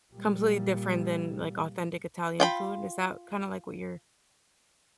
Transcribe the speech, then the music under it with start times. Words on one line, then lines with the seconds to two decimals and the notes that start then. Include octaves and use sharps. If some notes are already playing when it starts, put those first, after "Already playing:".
completely different than, like, authentic Italian food, is that, kinda, like, what your
0.14 A#2 G3
2.40 F4 G5 B5